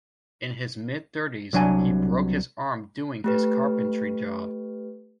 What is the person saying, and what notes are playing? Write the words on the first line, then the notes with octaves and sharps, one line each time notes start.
In his mid-thirties, he broke his arm doing his carpentry job.
C2 F#3 D4 G#5
A3 G4 B4